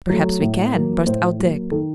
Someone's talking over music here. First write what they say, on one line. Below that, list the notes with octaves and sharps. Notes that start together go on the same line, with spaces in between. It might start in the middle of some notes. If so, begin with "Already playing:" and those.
"Perhaps we can!" burst out Dick.
F#3 A3
A2
F#3 A#3
A2 C5
F#3 A#3
D#3 A4